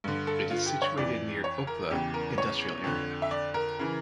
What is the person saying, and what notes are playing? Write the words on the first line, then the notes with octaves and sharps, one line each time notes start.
It is situated Near Okhla Industrial Area.
G2 D3
A4
F4
G4
C#5
F2 E3 D5
C#5
A#4
E2 C#3 E3 G4
A#4
C#5
F2 D3
E5
D5
A#4
C#3 E3